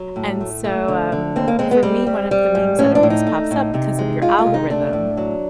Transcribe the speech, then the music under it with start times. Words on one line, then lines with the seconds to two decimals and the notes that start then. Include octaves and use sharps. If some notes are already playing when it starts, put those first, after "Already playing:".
And so, um, for me, one of the memes that always pops up because of your algorithm,
Already playing: F#3
0.16 A2
0.41 A3
0.64 A3
0.88 D3
1.12 D3
1.36 D#2 C4
1.48 A#3
1.59 G#3 C4
1.71 B3
1.83 G3 C4
2.07 G3
2.31 G3
2.55 G#2
2.79 A2 C#4
2.95 D4
3.03 A2
3.10 D#4
3.27 A3
3.51 A2
3.74 C3
3.99 G#3
4.22 G#3 F4
4.38 F4
4.46 C3
4.54 D#4
4.70 A3 D4
4.93 A2
5.17 F#3